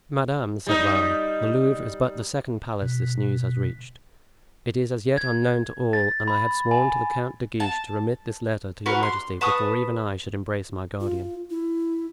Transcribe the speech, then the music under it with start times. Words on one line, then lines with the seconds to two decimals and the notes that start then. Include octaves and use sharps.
"Madame," said Raoul, "the Louvre is but the second palace this news has reached; it is as yet unknown to all, and I had sworn to the Count de Guiche to remit this letter to your majesty before even I should embrace my guardian."
0.67 G3 D#4
2.82 B2
5.17 G#6
5.93 A6
6.28 B5
6.71 G#5
7.60 A5
8.86 F#4 A#4 B4
9.03 C6
9.41 B4 A5 C#6 D#6
11.00 F4
11.50 E4